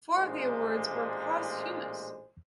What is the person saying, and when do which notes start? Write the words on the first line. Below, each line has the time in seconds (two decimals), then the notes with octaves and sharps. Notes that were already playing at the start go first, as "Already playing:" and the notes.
Four of the awards were posthumous.
0.17 A1 A#2 G#3 D4 C5